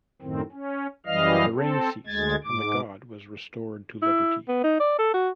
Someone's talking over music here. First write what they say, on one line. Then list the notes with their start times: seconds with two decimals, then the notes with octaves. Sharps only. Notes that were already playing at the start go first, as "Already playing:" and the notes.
The rain ceased and the god was restored to liberty.
0.22 F#2 A2 D#3 C4
0.52 C#4
1.06 F#2 E3 G3 D#5 F5 F6
1.55 C4 A4
2.07 D2 G#3 G#6 A6
2.44 G#2 D6
4.02 E4
4.48 B3
4.64 D#4
4.80 D5
4.99 A4
5.14 F#4